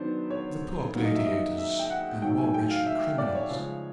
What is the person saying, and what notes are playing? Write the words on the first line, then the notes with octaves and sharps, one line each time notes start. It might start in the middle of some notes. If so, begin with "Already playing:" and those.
'The poor gladiators, and more wretched criminals!
Already playing: D#3 F#3 B3 D4 C5
C#5
D#3 F#3 A#3 C#4
D#5
E5
D#5
E5
G5
F#5
D#3 F#3 A3 G5
G#5
G5
F5
E5
D5
C#5
C#3 F3 G#3